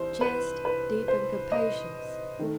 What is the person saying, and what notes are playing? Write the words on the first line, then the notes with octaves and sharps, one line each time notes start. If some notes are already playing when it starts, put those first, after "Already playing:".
CHEST--Deep and capacious.
Already playing: C2 E3 C5
B4
B4
C5
D#5
D#3 A3